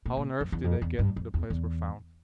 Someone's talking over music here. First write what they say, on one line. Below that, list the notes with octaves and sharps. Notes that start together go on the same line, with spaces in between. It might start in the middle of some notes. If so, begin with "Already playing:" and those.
How on earth did they get to the place where found?
A#2
A#2
F2
E2
F2
E2
G2
F2
E2
E2